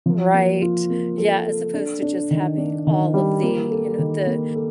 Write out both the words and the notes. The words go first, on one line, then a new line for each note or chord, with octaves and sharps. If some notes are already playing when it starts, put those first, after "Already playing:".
Right. Yeah, as opposed to just having all of the, you know, the
F3
A#3
F4
A#3
A4
A4
D4
D4
D#3
D4
D#3
G3
A#3
A4
D#3
A#3
A4